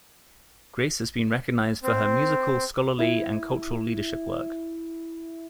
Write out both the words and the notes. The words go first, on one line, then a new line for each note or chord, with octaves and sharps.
Grace has been recognized for her musical, scholarly, and cultural leadership work.
C4
E4 D#6